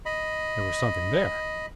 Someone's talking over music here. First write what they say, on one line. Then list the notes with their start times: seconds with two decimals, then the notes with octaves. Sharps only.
There was something there.
0.06 D#5 B5